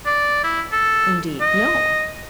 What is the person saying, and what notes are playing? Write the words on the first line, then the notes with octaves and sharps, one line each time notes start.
"Indeed no."
D5
E4
A4
D#5